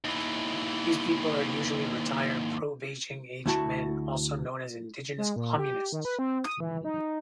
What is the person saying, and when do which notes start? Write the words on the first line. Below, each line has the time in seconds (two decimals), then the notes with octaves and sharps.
These people are usually retired pro-Beijing aged men, also known as indigenous communists.
0.04 D#2 E3
3.46 D2 A3 E4 F#4 A5
5.18 G#3
5.36 A#2
5.58 G4
5.92 D#3
6.05 B4
6.19 C4
6.45 D#6
6.60 E3
6.84 D#4